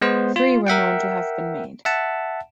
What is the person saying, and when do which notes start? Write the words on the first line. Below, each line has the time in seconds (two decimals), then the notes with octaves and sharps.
Three were known to have been made.
0.01 G#3 B3 C5
0.36 F4
0.67 A#4 E5 F#5 G5
1.85 E5 F#5 A5